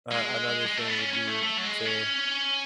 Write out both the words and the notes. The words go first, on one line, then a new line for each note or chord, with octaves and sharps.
uh, another thing would be to,
G#3
G#3
A3
B3
C#4
C#4
A3
A3
F#3
G#3
C#4